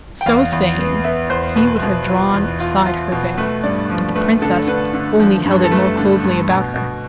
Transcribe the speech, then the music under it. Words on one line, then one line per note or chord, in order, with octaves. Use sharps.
So saying he would have drawn aside her veil; but the princess only held it more closely about her.
G5
E2 F5
E2
B3
B3 E5
E2 C5
B2 B4
B2
F4
E2
F4
F4
B2
A3 B4
G2 D5
F3
A3 B4
D3 A4
D3 B4
D3
F3
G2
A4
A3 B4
D3
G2
B2
B2